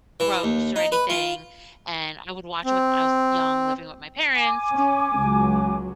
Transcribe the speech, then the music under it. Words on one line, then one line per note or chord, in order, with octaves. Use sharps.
gross or anything and I would watch it with my I was young living with my parents
E3
D#2
D#4
B4
F4
C4
G#5 D6
C#4
C#2 F#3